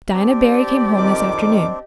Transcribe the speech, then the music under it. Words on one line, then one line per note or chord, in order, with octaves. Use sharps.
Diana Barry came home this afternoon.
C4 D4 G4 D5
F2 D#3 D#5 D6